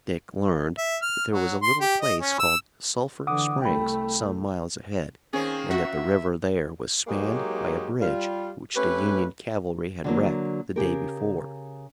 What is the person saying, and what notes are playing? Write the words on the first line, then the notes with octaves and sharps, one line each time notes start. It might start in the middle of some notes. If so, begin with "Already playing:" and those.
Dick learned that there was a little place called Sulphur Springs some miles ahead, and that the river there was spanned by a bridge which the Union cavalry had wrecked the day before.
E5
F6
F#3
C6
G4
D#5
C#4
E6
D3 E3 F#5 D6 D#6
C2 A3 G5 B5
D#3 A#3 C4 C#4 G#4
F#4 E5
F#3 G#3 A#3 D#4 G4 C#5
G3 F4
A3 C#4 G4 B4
D3 F#3 A#3
C#3 G4 A#4